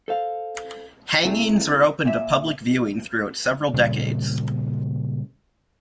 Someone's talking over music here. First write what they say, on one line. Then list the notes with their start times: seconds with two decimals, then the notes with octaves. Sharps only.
Hangings were open to public viewing throughout several decades.
0.08 A4 C5 F5
1.24 C3 A3 E4 G#4
2.05 A#2 E5
3.74 A#2 C#3 G3 G#3